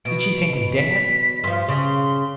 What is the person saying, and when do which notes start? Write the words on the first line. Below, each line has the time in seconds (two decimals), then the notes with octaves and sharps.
Did she think him dead?
0.05 B2 D7
0.76 B6
1.44 G2 F3 C6
1.68 C#3 C6